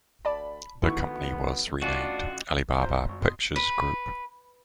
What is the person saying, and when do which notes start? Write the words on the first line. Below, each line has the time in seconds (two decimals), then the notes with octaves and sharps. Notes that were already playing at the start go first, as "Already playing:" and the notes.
The company was renamed Alibaba Pictures Group.
0.25 D2 D5 A5 B5
0.83 D2 D#3 B3 E4 C#6
1.82 A1 D4 F4 F#4
2.79 A#1 F#2 C4 C5 G6
3.09 G#1 C#6
3.21 B2 C6 D#6
3.56 B4